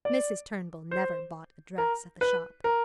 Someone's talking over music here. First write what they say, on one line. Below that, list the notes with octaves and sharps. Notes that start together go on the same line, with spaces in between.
Mrs. Turnbull never bought a dress at the shop.
D5
C5
A#4
B4
A#4